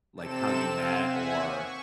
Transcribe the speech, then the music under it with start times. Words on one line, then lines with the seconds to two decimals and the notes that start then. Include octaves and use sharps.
like how you met or
0.15 C3 C4 A4 E7
0.67 C4 F5
1.01 E5 F#5 G#5
1.51 C#6